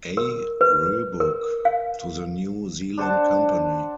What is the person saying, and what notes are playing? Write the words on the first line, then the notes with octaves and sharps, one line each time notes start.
A. Roebuck to the New Zealand Company.
A#4
B4
A#4
F5
D4 C5 F#5 A5